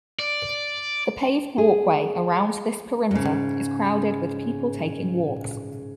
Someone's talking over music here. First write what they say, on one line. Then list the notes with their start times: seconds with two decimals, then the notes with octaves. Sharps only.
The paved walkway around this perimeter is crowded with people taking walks.
0.19 D5
1.58 G#4
3.11 G#2 C#3